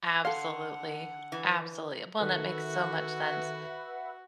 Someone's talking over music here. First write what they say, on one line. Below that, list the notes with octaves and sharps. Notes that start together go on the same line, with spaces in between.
absolutely, absolutely well, and that makes so much sense.
D3 A4 F5 F#5 C6
E3
D#3 F#4 A4 B4 E5 F#5 F#6